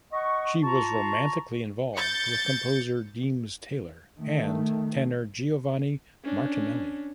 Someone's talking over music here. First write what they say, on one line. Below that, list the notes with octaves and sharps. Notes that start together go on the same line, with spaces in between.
She was romantically involved with composer Deems Taylor and tenor Giovanni Martinelli.
D#5 F#5 C#6
F4 A5 A#5 C#6
G6 A6 C#7
D#3 A3
C#4 D4